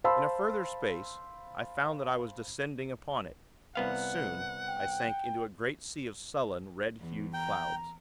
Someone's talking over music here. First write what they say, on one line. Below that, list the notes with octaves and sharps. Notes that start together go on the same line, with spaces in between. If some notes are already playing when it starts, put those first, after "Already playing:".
In a further space, I found that I was descending upon it; and, soon, I sank into a great sea of sullen, red-hued clouds.
C5 F5 A5 B5 C6 E6
C2 B3 F5 F#5
G5
E2
G5 A#5